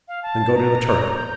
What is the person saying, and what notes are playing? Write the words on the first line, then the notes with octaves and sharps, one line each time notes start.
Then go to the turret.
F5
A5
A#5
G6